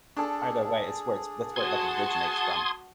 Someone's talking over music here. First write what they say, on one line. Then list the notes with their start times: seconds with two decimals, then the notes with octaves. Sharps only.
either way, it's where it's that's where it, like, originates from.
0.17 D4 G#4 A4
1.56 F#4 A5 C6 D#6 G#6